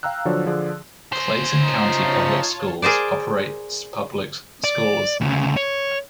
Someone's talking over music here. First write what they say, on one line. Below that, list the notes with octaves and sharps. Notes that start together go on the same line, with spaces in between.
Clayton County Public Schools operates public schools.
F5 G5 A#5 E6 F#6
D3 F3 F#3 F#4 C#5 D5
D3 F3 G#4 D5
C#3 C5 C6 G#6
D#4 F4 C#5 A5
G#4 A#4 C5 D5
D5
D2 C#3
C#5